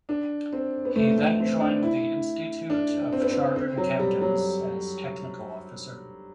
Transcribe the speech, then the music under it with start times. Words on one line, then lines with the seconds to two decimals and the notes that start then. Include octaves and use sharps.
He then joined the Institute of Chartered Accountants as Technical Officer.
0.09 D4
0.53 C4
0.85 B3
0.96 A3
1.18 A3
1.40 C4
1.60 D4
1.83 E4
2.70 D4
3.12 C4
3.22 B3
3.31 C4
3.56 C4
3.78 F#3
3.99 G3
4.21 F#3